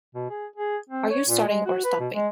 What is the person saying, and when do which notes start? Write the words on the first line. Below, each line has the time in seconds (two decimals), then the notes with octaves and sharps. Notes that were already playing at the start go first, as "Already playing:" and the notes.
Are you starting or stopping?
0.15 B2
0.30 G#4
0.56 G#4
0.89 C4
1.11 C#5
1.28 A#2
1.47 G#3
1.66 F#4
1.84 B4
2.00 B2
2.14 G#3